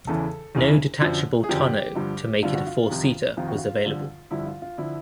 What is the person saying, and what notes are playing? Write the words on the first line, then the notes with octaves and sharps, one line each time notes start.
No detachable tonneau to make it a four-seater was available.
E2 C#3 E3 A4
E2 C#3 E3
F#2 D3 F3
G#4
F#2 D3 F3 G4
G2 D3 F3
G2 D3 F3 F4
F#4
F4
F2 C3 D#3
F2 C3 D#3 F4
F#4
F4
G2 D3 F3
G2 D3 F3 E4
F4
F4
D3 F3 E4